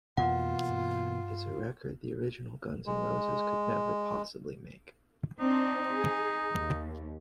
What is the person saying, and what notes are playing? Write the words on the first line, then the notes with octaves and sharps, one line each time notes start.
It's a record that the original Guns N' Roses could never possibly make.
F2 B2 E3 A#3 F4 F#5
G2
G#3
C4 D4 D#4
G#4
D#2